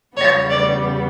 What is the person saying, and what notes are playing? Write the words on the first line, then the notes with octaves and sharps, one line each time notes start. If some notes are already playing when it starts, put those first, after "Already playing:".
That's really neat.
E2 C#3 G3 B3 C#5
D5